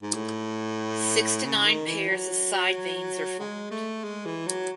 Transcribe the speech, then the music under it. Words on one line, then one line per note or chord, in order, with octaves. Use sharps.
Six to nine pairs of side veins are formed.
G#2
A2
C#3
D#3
E3
F#3
G#3
A3
G#3
E3
F#3